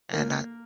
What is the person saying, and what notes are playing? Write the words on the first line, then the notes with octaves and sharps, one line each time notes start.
and I I
A#3